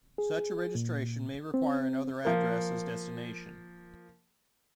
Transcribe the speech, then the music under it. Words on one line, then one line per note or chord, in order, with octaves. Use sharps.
Such a registration may require another address as destination.
G#4
A#2
C4
F3 A#3